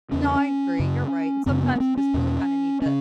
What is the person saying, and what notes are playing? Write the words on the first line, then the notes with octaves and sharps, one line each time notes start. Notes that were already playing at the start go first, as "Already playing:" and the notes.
No, I agree, you're right, and sometimes you just really kinda need to
E2 C#3 C#4
F#2 C#3
F#2 C#3 C4
B3
B3
C4
C#4
E2 B2
C#3 C#4